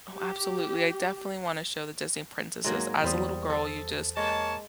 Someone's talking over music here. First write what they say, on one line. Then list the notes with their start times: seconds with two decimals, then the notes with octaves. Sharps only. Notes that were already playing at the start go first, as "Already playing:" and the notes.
Oh, absolutely, I definitely want to show the Disney princesses. As a little girl, you just
0.16 G4
2.64 G#2 F#3 A#3
3.04 E2 G3 C5 D#6
3.50 A4
4.17 G#3 A#3 C#5 A5